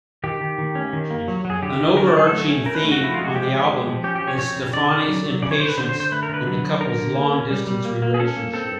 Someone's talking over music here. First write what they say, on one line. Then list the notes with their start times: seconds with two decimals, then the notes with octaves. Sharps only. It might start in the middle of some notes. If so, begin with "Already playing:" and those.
An overarching theme on the album is Stefani's impatience in the couple's long-distance relationship.
0.24 D#3 G4
0.41 D#3
0.58 D#3
0.75 C#4
0.93 D#3
1.10 A#3
1.28 F#3
1.45 F#3
1.50 G#4
1.62 D3 G4
1.80 D3
1.97 D3 A#4
2.07 A4
2.14 F#3 G#4
2.27 A3 A4
2.49 C#4
2.66 A3 A#4
2.75 B4
2.84 A3
2.92 F#4
3.00 F3 E4
3.14 G#3 F4
3.24 F#4
3.35 F3 G4
3.53 G#3
3.70 F3
3.88 F3
4.04 C#4 G4
4.16 G4
4.21 F3
4.28 C#5
4.39 C4 C#5
4.56 C#3
4.73 C#3 D5
4.91 C#3
5.08 F#3
5.26 F#3
5.43 C#3 D5
5.51 C#5
5.60 C#3 C5
5.69 B4
5.77 D3 C5
5.89 C5
5.95 D3
6.00 C5
6.12 A3 B4
6.23 A#4
6.29 D3 B4
6.47 F#3
6.63 F#3
6.81 D3 A#4
6.99 D3
7.16 A#3
7.34 C#4
7.50 G3
7.67 G3
7.85 A#3
8.02 A#3
8.14 G#4
8.19 C#4 A4
8.37 A#3
8.54 C4 A4